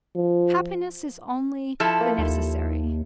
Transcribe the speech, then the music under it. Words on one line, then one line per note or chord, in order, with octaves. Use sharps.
Happiness is only the necessary.
F3
F3 E4 A4
A#3
D#2